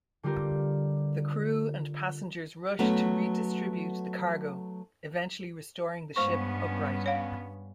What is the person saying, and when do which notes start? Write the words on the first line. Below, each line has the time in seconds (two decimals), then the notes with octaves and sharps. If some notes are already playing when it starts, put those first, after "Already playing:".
The crew and passengers rush to redistribute the cargo, eventually restoring the ship upright.
0.23 D3 G3 C4 F4 G4 A#4
2.79 F#3 A3 B3 C#4
6.16 G2 G#3 B3 C#4 C5 C#6
7.06 C#5 F5